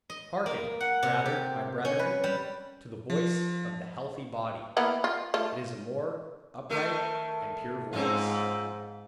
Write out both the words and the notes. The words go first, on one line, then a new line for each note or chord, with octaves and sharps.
Hearken rather, my brethren, to the voice of the healthy body; it is a more upright and pure voice.
D#5
A#3
F#5
C3
G4
C#4
B4
G3
F3
A#3 B3 E4
F4
A3 F4
D#3 A3 A#4
G#2 C4 C#4 F4